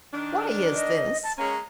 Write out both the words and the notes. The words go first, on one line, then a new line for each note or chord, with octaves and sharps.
Why is this?'
D#3 D4
D#5
A5
G#3 A#3 C#4 A#5